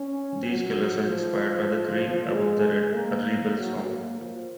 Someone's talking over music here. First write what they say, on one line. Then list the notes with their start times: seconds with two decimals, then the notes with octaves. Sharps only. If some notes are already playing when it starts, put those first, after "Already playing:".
These colours are inspired by "The Green Above The Red", a rebel song.
Already playing: C#4
0.45 F#3
1.07 F3
2.32 G#3
2.95 A#3
3.58 F#3
3.89 A#3
4.21 F3